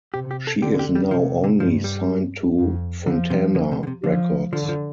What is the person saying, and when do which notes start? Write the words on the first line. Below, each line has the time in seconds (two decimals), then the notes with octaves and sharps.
She is now only signed to Fontana Records.
0.14 C3 G4
0.31 G4
0.47 A4
0.62 D3 G4
0.79 G4
0.95 G3
1.11 C3 F3
1.44 D3
1.60 G2 F3
1.84 G3
2.58 F2
3.06 D3 F3
3.30 C3
3.55 D3
3.72 C3
3.83 D3
3.87 C3
4.04 D3 F3
4.53 D3 F3
4.69 F3